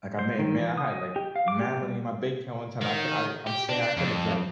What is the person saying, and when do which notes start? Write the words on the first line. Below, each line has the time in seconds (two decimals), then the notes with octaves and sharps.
like, I may may have, like, mad money in my bank account one time, I ca I I'm saying I could have, like,
0.19 C5
0.39 D#3
0.59 E3
0.77 D#6
0.90 D#5
1.16 G4
1.36 F5
1.48 D6
1.61 G4
1.81 G3
2.81 D#3
3.47 G4
3.69 D4
3.97 F2